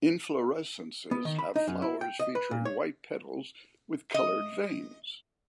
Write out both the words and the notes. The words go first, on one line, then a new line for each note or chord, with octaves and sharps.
Inflorescences have flowers featuring white petals with coloured veins.
B3
D#3
B5
D#4
F#2
E4
G5
D#5
B4
A#2
C#5
D#5